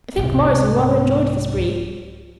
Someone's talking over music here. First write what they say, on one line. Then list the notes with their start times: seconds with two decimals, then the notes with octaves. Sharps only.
I think Morrison rather enjoyed the spree.
0.17 C2 G#2